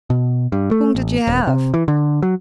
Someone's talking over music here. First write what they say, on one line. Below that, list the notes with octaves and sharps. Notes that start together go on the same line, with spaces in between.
Whom did you have?
B2
G2
A3
A1
D#1
C3
E3
D3
F#3